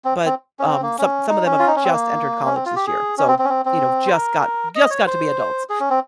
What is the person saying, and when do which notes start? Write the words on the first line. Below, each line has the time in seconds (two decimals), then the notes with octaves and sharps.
but, um, some some of them have just entered college this year so you know, just got just got to be adults,
0.05 C4
0.25 C4
0.59 C#4
0.67 C4
0.82 A#3
0.99 C#4
1.30 D#4
1.45 C#4
1.59 F4
1.67 D#4
1.76 C#4
1.84 C4
1.93 A#3
2.46 C#4
2.55 C4
2.66 F4
2.76 G4
2.87 G#4
3.18 C#4
3.28 C4
3.39 C4
3.45 C#4
3.49 C4
3.65 C4
4.07 C5
4.12 A#4
4.75 D#5
4.90 C#5
5.07 C5
5.69 G#4
5.80 C#4
5.90 C4